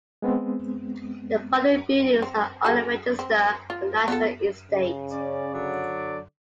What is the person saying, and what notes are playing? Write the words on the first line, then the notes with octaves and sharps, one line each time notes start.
The following buildings are on the Register of the National Estate.
G#3 B3 C4
C4
F#4 G#4 A4
C4
F4
B3 F4 A4
C#3
C#4 D5
D3 F#3 D5